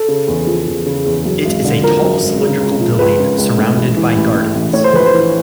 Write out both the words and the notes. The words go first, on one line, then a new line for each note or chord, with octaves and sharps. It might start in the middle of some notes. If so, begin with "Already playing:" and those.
It is a tall cylindrical building, surrounded by gardens.
Already playing: A4
C#3
E2
F3
E2
C#3
E2
F#2
G#1
D3
F3 A#4
F#2
G#1
C#3
C#2
F3
C#2 B4
C#3
C#2
A2
A1
E3
A1
A2
A1
A2 C#5
C5
A#1 B4
C5
E3